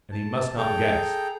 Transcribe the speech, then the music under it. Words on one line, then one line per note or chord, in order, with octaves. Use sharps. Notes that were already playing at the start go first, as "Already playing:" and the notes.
"And he must not guess."
A5
G#4 A4 G5 A#5